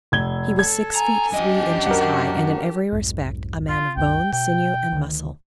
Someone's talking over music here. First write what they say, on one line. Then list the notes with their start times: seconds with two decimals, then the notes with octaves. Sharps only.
He was six feet three inches high, and in every respect, a man of bone, sinew and muscle.
0.12 F1 G#6 G7
0.59 A4 G#6
0.95 G#5 A#5
1.32 F#2 D4 G4 D#5
1.86 F#4 A#4 F#5
2.92 B1 F2 G#2
3.69 F4
3.97 C2 F#2 G5
4.33 B2 G5
4.93 D2 D#3